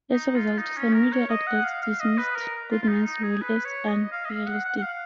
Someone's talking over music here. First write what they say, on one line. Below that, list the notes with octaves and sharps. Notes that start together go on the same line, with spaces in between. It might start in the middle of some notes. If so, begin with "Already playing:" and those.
As a result, some media outlets dismissed Goodman's role as unrealistic.
D#4
F4
D#4
C#4
A#4
C#5
D#5
F#5
F5
F5
D#5
B4
A#4
F4
F4
D#4
D#4
G#4
B4
C#5
D#5
F5
D#5
F5
F#5
F#5
F#5
F5